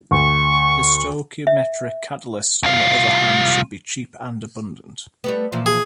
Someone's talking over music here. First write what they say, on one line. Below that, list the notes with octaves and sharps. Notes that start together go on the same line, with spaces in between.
The stoichiometric catalyst on the other hand should be cheap and abundant.
D2 C#6
E5
C2 F4
G3 A3 B3
A#2 E3 F3
G#4